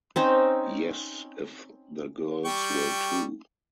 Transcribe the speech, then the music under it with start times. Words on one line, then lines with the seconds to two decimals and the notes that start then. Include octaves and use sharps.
Yes, if the girls will too.
0.16 C4 C#4 D#4
2.45 G3 G5 C#6